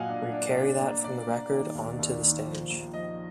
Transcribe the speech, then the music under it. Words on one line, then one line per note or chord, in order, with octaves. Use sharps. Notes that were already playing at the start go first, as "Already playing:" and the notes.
We carry that from the record on to the stage.
Already playing: A#2 F#3 D#5 F5 F#5 G#5
D4
D4
D4
A#3
D4 D5
A#3
D#3
D#2
D#2
D#3
F3
A#1
F3 D#5